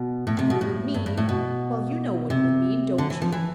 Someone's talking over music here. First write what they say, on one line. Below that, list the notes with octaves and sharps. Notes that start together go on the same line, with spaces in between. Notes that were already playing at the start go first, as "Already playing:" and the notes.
And it would mean--well, you know what it would mean, don't you?
Already playing: B2
A2
C3
B2
A2
G2
G2
A2
B2
C3
D3
E3
F3
E3